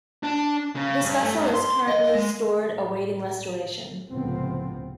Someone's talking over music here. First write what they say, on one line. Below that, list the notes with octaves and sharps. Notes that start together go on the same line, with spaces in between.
This vessel is currently stored awaiting restoration.
D4
C#3
G2
A3
G2
C6
D#5
G#3
A2
C#2 A2 C3 F3 B3 C4